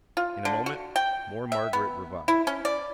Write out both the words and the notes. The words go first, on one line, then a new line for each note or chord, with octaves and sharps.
In a moment more Margaret revived.
F4
D3
F#4
G5
E5
B3
E4
C#4
D5